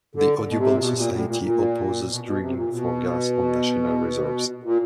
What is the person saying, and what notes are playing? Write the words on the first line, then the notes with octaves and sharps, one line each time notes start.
The Audubon society opposes drilling for gas on national reserves.
D3
B2
C3
A#2
B2
A#2
A2
A#2
A#2
B2
B2
C3
A#2
B2
A#2